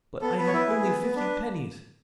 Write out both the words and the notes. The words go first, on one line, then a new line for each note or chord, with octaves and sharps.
But I have only fifty pennies.
B3 A4
B3 B4
C#5
E4 B4
G#4
B3
B3
D4 B4